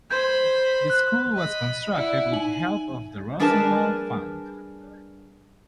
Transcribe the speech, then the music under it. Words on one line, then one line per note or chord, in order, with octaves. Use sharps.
This school was constructed with help of the Rosenwald Fund.
C5 B5 G6 G#6
F#6
D#5 B5
E4 D5 F#5
D#4 G#5 F#7
G3 D4 G#4 A#4 B4 A5